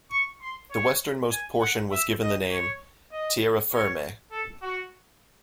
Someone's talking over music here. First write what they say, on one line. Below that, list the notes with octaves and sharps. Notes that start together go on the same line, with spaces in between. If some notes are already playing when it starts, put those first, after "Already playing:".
The westernmost portion was given the name "Tierra Firme".
C#6
C6
C#5
G#5
F#5
E5
D#5
C#5
D#5
C#5
A4
F#4